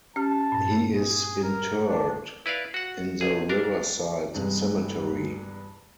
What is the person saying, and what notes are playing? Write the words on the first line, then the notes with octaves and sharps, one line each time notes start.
He is interred in the Riverside Cemetery.
C#4 G4 A5
G2 A#2
G#4
A#4
D4
E4 B4 D5 F5
F#4 F#5
B1 G#4
D4 A#4
E2 G2 C3 G3 G#3